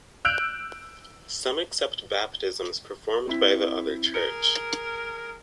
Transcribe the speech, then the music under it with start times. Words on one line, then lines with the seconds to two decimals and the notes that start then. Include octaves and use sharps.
Some accept baptisms performed by the other church.
0.25 E6 F#6 G6 D7 F7
3.27 C4 E4 B6
4.14 G#4 A#4 C#7